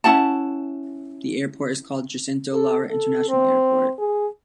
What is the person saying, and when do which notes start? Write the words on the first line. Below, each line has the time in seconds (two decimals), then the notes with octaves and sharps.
The airport is called Jacinto Lara International Airport.
0.04 C#4 E4 F#5 A5
2.53 A4
2.90 A4
3.29 C4
3.98 G#4